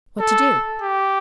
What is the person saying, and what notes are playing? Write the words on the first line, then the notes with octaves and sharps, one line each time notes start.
"What to do?"
A4
G4